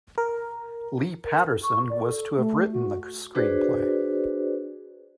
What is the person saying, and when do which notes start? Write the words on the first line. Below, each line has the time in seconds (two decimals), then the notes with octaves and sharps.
Lee Patterson was to have written the screenplay.
0.18 A#4
1.25 A#4
1.49 A4
1.63 C#6
1.90 D5
2.04 A4
2.37 A3
2.73 F#4
3.35 D4 F#4 G#4 B4 C5 D5